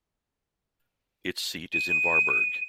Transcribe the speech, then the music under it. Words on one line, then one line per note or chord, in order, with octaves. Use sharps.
Its seat is in Varberg.
D#7